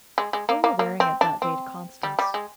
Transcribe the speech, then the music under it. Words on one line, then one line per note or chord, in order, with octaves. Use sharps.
They were wearing it that day to Constance.
G#3
G#3
A#3
A#3
A#3
C4
D4
C4
G3
G3
G#3